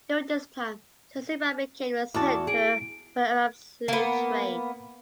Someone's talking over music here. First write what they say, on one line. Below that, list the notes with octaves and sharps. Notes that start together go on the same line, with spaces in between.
During this time, Zanzibar became the centre for the Arab slave trade.
E2 F#4 A5 D6
G#4 D7
A#3 B3